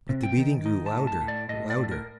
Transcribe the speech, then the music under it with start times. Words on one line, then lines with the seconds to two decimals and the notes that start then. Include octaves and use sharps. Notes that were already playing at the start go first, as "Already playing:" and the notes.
But the beating grew louder, louder!
0.09 C3
0.23 G5
0.37 D#3
0.66 D#4
0.86 A5
0.93 A2
1.07 A5
1.21 A2
1.28 D5
1.49 A2 D#5
1.70 D5
1.77 A2
1.91 A#4